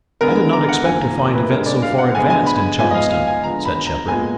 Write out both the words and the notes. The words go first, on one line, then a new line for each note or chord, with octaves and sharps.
"I did not expect to find events so far advanced in Charleston," said Shepard.
D3 G#3 B3 A#4
A#5
F#5
F2 D#3 A#3 G#5
A#5
A#5
B4
D3 G#3 B3 A#4
D5
F5
F#5
D3 G#3 B3 G#5
G#5
B5
G#2 F3 B3 G#5
D#5
F5
F5
G#5
D3 F3 G#3 B3 A#5
B5
A#5
A#2 G#3 B3 G#5